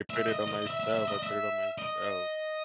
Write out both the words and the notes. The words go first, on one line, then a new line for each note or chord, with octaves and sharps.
put it on myself, I put it on myself.
E5
D#5
D#5
E5
E5
E5
D#5
E5
D#5